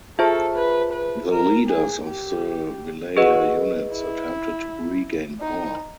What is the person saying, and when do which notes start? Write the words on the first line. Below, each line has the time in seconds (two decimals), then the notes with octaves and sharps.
The leaders of the Wilaya units attempted to regain power.
0.19 F4 G#4 A4 C5 E5 A5
0.56 B4
0.93 B4
1.31 A#4
1.68 G#4
2.05 G4
3.17 F#4 G#4 B4 D#5
3.91 E4
5.41 D#4